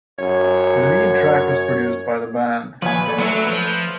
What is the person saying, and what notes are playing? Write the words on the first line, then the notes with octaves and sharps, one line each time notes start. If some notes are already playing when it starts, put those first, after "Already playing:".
The lead track was produced by the band.
F#2 C#5
A#2 F3 B4 C#5 G#5
A3 A4 D5
F#3 A3 B3 C#4 E5
F3 B4